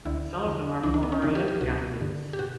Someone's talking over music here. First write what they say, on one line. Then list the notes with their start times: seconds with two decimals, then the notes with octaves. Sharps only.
Some of them are former Olympic athletes.
0.05 D2 D3 E4
0.45 E2 D3
0.83 C#2 C#3 E3 D4
0.94 D4
1.03 B3
1.12 C#4
1.22 E2 C#3 E3 D4
1.35 G4
1.48 G4
1.61 C#2 B2 F#4
2.00 G2 D3
2.33 G4
2.39 B2 F#4